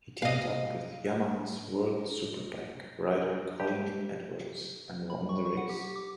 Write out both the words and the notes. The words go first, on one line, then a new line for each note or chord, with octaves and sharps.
He teamed up with Yamaha's World Superbike rider Colin Edwards and won the race.
D#5 F5
G4
B5
C#6
C#6
F#5
G4
D6